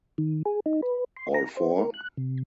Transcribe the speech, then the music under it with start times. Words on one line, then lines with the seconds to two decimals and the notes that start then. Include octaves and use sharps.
All four?
0.18 D#3
0.46 G#4
0.66 D#4
0.83 B4
1.17 C6
1.34 A#5
1.57 C5
1.78 A#4
1.94 F#6
2.17 C3